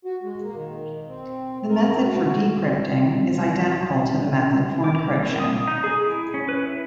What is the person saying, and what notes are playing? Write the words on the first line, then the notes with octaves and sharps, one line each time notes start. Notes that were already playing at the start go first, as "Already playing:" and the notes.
The method for decrypting is identical to the method for encryption.
F#4
G#3
A#3
D#3
C4
A#4
F#4
C4
D6
A#3
D#6
D#4
G#4
E4
C#4
B4
E4